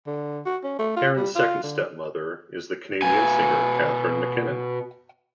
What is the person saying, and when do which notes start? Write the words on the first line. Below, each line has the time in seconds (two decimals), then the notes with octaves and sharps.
Harron's second stepmother is the Canadian singer Catherine McKinnon.
0.07 D3
0.46 F#4
0.64 C#4
0.79 A3
0.96 F4
1.16 G3
1.35 F4
1.63 D3
3.02 B2 G#5